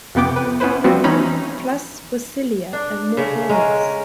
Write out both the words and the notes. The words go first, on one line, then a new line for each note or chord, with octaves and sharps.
Plus we're sillier and more harmless.
F2 C3 B3 G5 D6
B4
B3 C#4 E4 B4 C5
F3 G3 A3 B3 C4 F#4
E3 C#4 D#4 B5
D4
C#3 A3
G#3 C#4 A#4